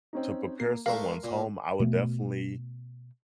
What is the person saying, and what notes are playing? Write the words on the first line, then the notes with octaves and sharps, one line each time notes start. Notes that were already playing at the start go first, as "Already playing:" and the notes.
to prepare someone's home, I would definitely,
C4 C#4 D#4
A#3 C7
G#3 A3 A#4 F5 C#6 C7
A#2
B2 A3 B3